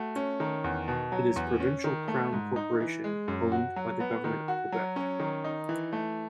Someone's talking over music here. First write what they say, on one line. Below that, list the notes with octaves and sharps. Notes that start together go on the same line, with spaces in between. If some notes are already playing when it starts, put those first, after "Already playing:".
It is a provincial Crown corporation owned by the Government of Quebec.
Already playing: A3 F#4
C#4
D#3
E2
B2
F#3
E2
C#4
D#3
A3
G#2
D#4
E3
G#3
F#2
F#4
F#3
B3
D#3
F#4
F#3
C#4
D#3
D#4
E3
A3